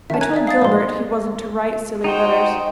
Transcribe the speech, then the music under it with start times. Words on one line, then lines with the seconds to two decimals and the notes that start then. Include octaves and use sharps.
I told Gilbert he wasn't to write silly letters.
0.10 D#3 C#4 E5 A5
0.21 A#4 G#5 F#6 G#6
0.34 D5 E5
0.47 F5 D#6 A6
0.62 A#1 G#2 C5 C6
2.04 D#4 F#4 C5 D#5 G5